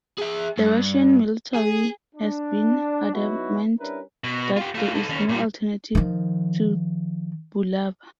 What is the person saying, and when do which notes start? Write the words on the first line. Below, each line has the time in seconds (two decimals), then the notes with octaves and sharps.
The Russian military has been adamant that there is no alternative to Bulava.
0.19 G#4 E5
0.58 G2
1.55 G#4
2.14 D4
3.14 F#3 B3 D#4 E4 F#4
3.79 G3 C#4 D4 E4 A#4 B4
4.24 B2
4.57 F4 G4
4.75 A3 F4
4.95 D#4 A4
5.09 D#2 C#4
5.29 A#2 G3
5.95 D#3 F3